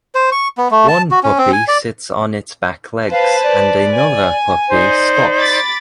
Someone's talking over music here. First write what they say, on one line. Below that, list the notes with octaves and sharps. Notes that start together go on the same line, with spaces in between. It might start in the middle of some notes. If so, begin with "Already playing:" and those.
One puppy sits on its back legs and another puppy squats.
C5
C#6
B3
A3
A5
F#4
C#4
C4
G#5
D5
B4 C5 F5 A5
D5
G#5
D#4 C5 D5
B5 D6 A6